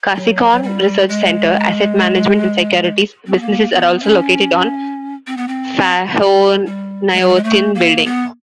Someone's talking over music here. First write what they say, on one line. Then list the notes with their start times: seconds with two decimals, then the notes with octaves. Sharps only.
Kasikorn Research Center, Asset Management and Securities businesses are also located on Phahonyothin building.
0.16 F#3
0.52 F#3
0.63 G3
1.09 G#3
3.26 C4
3.34 B3
3.41 A#3
3.72 B3
4.03 C#4
5.27 C4
5.37 B3
5.48 C4
6.20 G3
6.66 G3
7.12 G#3
7.20 F#3
7.29 G3
7.35 G#3
7.44 A3
7.75 A#3
8.05 B3